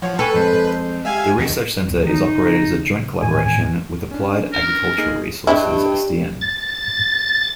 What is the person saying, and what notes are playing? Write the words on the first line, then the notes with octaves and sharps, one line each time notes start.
The research centre is operated as a joint collaboration with Applied Agricultural Resources Sdn.
F3 C#5 F#5
A4 B4 G5 G#5 C#6 F6
F2 G#3 C5
G#3 G4 E5 F5 G#5 G#6
E2 D#3
E1 D2 B3
D#3 B3 D#4
C#3
A2 D#3 E3 G#5
C#4 D4
A#4
A#3 D#4 G#4
G2 G#3 D4 E4
A6